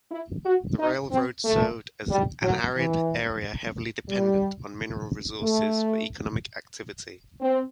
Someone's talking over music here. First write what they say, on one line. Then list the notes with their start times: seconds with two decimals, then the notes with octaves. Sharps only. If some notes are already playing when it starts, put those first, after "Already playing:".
The railroad served an arid area heavily dependent on mineral resources for economic activity.
0.12 E4
0.46 F#4
0.79 D#4
1.11 C4
1.45 A3
2.10 G3
2.43 F#3
2.77 E3
4.09 G3
5.42 A3
7.41 C4